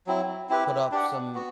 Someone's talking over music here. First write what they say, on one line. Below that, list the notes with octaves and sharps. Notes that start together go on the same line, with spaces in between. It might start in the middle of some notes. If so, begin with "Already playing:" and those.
put up some
F#3 C4 E4
C4 E4 G4 B4
D4 G4 D5 F#5
B3 F#4